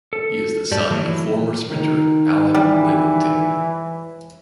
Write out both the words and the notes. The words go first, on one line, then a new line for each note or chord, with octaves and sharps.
He is the son of former sprinter Alan Lillington.
A4
G2 G4 D5 A5
E3 F#3 A3 A#3 E4
D#3 D#4
E3 G3